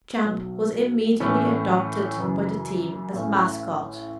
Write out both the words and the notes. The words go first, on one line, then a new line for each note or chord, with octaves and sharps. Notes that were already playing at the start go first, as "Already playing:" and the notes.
Champ was immediately adopted by the team as mascot.
B1 B2 F#3
A2 E3 A3 C#4 A4
F#2 C#3 E3
A1 A2 A3 C#4 E4